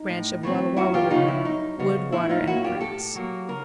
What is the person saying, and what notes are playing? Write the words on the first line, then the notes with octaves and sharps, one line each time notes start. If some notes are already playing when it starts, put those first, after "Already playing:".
Branch of Wallah Wallah River.--Wood, water, and grass.
Already playing: D#4
A2
E3 A3 C4
F#2 E4 F#4
F4 G4
C#3 F3 G#3 B3 D#4 F4
E4
F#2 D#4
C#3 F3 G#3 B3
A2 E4
D#4 F4
F#3 A#3 E4 F#4
F4 G4
A2 G4 A4
F#3 A#3
C#3 A#4